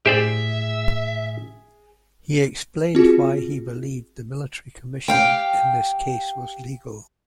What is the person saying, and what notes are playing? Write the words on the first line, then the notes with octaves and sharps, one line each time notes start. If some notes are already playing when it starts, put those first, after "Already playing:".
He explained why he believed the military commission in this case was legal.
A2 G4 G#4 C5 D5 E5
C4 F4 F#4 G#4
G4 F5 G5